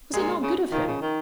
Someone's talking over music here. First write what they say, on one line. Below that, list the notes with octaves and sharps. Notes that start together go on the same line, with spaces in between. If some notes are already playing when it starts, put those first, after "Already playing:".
Was it not good of him?'
A#2 G#3 G#4
C#3
D#3 F3 F4
C#3
D#3